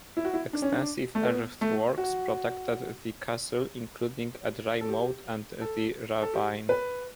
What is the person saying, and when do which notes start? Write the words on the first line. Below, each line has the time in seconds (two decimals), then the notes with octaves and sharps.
Extensive earthworks protected the castle, including a dry moat and the ravine.
0.17 E4
0.25 F#4
0.34 E4
0.53 D4
0.62 C#4
0.72 D4
1.15 A3
1.25 B3
1.61 A3
1.98 F#4
4.81 A4
4.89 G4
5.61 A4
6.22 A4
6.34 G4
6.69 B4